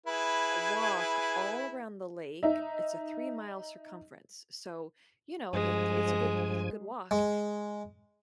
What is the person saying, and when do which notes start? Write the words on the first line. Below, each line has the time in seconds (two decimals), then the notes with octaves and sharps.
a walk all around the lake, it's a three-mile circumference, so you know, it it's a good it's a good walk,
0.06 E4 G#4 B4
2.43 D#4 E5
5.53 G2 F3 G#3 G#5
7.11 G#3